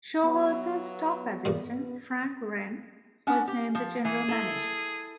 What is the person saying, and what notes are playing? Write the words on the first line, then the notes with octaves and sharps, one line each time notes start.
Schuerholz's top assistant Frank Wren was named the general manager.
F#3 B3
E2 G2 A#2
C#4 D4 F#5
G4
F3
E3 G#4
E4 A4